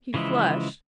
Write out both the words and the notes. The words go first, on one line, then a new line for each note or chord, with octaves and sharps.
He flushed.
C#3 E3 F3 G#3 E4